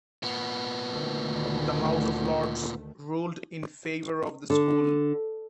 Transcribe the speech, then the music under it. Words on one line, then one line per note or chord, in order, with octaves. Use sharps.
The House of Lords ruled in favour of the school.
A#2 B3
D2 D#3 A3
D3